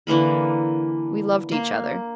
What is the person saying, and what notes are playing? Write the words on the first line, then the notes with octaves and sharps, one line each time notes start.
We loved each other.
D3 E3 A#3 B5
A#3